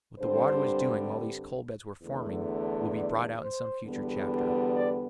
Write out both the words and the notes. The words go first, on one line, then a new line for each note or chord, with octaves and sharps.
What the water was doing while these coal beds were forming will be brought out in some future chapter.
G2 D3 G3 C4 C5
E2 D3 A3
D5
C5
E2 D3 G3 B3
D5